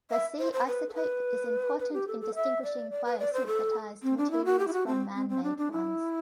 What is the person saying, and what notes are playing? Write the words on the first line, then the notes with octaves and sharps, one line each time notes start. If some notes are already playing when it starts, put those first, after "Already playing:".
The C isotope is important in distinguishing biosynthetized materials from man-made ones.
E5
C5
C5
B4
A4
B4
B4
G4
A4
A4
E5
D5
D5
B4
D5
C5
A4
C4
D4
E4
F#4
G4
E4
F#4
C4
C4
C4
D4
D4
E4